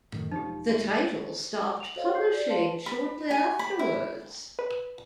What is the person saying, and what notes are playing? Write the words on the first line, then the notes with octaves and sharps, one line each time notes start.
The title stopped publishing shortly afterwards.
F#2 A2 D#3
E1 F3 D#4 G4
F#4 E5
F7 F#7
F#4 A4 C5 C#5 D#5 F5
E4 F#4 G#4 A4 G6 C7
D5
B4 C5 F5 A5 C6 F#7
B5
G#5
B5
E4
B4